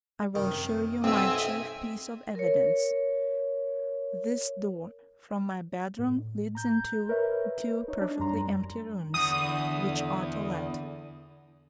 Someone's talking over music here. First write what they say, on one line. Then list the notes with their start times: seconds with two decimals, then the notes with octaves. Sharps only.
I will show you my chief piece of evidence: this door from my bedroom leads into two perfectly empty rooms, which are to let.
0.35 F#2 C3 D#3
1.04 B1 C4 D#5 E5 G#5 E6
2.35 A#4 C#5
5.99 A2
6.55 A#5 G6
7.09 A#4 B4 C#5 E5
7.88 D#4 C#5
8.01 D4
8.19 F#2 G3 A#5 C6
9.14 E2 D3 D#6